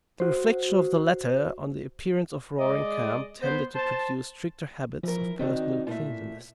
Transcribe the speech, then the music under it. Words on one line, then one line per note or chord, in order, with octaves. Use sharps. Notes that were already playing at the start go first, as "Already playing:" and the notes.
The reflections of the latter on the appearance of Roaring Camp tended to produce stricter habits of personal cleanliness.
F#4 C5
G#3 D5 D#5
B3 C5
C5 A5
E3 F3 A#4
D#3 C4 D4 D#4 F#4
A#2 A3 E4 E5